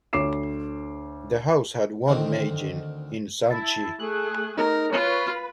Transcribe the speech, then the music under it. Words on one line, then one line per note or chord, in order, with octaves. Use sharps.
The house had one Meijin, in Sanchi.
D2 C#5 D6 C7 E7
D2 D#3 C4
E4 A5
A3 G#4 F#6
D#4 A#4
F4 B4 C#5 B5